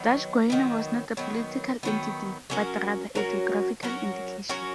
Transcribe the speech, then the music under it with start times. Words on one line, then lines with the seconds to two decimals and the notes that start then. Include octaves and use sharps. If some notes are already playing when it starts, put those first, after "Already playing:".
Dutch Guiana was not a political entity, but rather a geographical indication.
Already playing: D#3 F#3 B3
0.50 D#3 F#3 B3
1.17 D#3 F#3 B3
1.83 D#3 F#3 B3
2.50 F#3 C#4 F#4 A#4
3.15 F#3 C#4 F#4 A#4
3.83 F#3 C#4 F#4 A#4
4.49 F#3 C#4 F#4 A#4